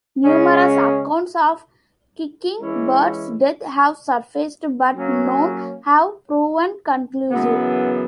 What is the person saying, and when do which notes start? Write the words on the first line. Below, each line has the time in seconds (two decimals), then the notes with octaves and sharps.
Numerous accounts of Kicking Bird's death have surfaced but none have proven conclusive.
0.24 C#3 G#3 C#4
2.60 E3 G#3 C#4 E4
4.95 F#3 A#3 C#4
7.30 F#2 C#3 E3 B3